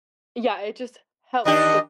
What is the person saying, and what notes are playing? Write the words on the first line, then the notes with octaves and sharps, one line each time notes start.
Yeah, it just helps the
D#3 D4 G4 D#5